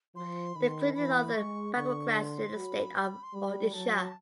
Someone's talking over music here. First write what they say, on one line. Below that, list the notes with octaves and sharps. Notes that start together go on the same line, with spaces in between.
They are included in the Other Backward Classes in the state of Odisha.
F3 C6
D#3 B5
C6
B5
E3 B5
G#3 C#6
D3 C#6
C6
F#3 B5
C6
G3 B5
F#3 A5